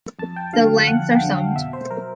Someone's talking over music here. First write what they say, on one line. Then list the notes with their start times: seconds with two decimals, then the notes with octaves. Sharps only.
The lengths are summed.
0.19 F2 A5
0.36 G5
0.53 D3 F#3 F5
0.87 F2 F#5
1.11 G5
1.22 D3 F#3
1.33 F5
1.56 B2 E5
1.73 C5
1.91 F#3 A#4